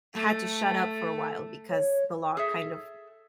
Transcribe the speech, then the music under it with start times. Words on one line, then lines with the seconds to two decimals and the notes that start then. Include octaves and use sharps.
had to shut up for a while, because the law kind of
0.14 A3 A4
1.70 C#5
2.37 G#4 A4 E5